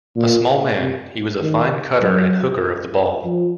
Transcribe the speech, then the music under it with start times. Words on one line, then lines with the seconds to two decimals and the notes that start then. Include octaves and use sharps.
A small man, he was a fine cutter and hooker of the ball.
0.16 A#2
0.78 C3
1.40 D#3
2.01 F#3
3.25 F3